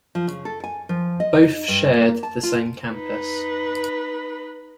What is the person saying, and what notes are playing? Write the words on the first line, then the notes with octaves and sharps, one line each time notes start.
Both shared the same campus.
F3
C#3
A4
G#5
F3
D#5
D#4
G2
A#3
A5
F4
D#4 B4